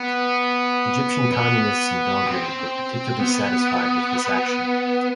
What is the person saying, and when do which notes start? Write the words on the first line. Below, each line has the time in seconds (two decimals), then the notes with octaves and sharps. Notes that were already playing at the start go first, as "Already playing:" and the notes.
Egyptian communists in Belgrade were particularly satisfied with this action.
Already playing: B3
1.32 B3
2.26 C4
3.19 B3